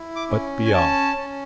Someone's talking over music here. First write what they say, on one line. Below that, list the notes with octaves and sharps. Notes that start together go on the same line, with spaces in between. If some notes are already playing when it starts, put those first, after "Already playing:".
But be off!
Already playing: E4
D6
C#4
G#5
C#4 A5
C#4